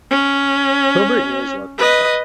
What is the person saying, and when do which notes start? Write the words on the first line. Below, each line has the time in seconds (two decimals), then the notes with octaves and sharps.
Hilbert knew his luck when he saw it.
0.11 C#4
1.78 B4 D#5